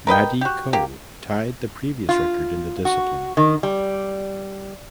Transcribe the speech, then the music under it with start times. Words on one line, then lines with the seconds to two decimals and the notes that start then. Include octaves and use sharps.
Madi Ko tied the previous record in the discipline.
0.07 A#4 B4 D#5 G5
0.41 F#4 G4
0.73 A#3 G4
2.09 F4
2.85 F#4
3.37 D#3
3.63 G3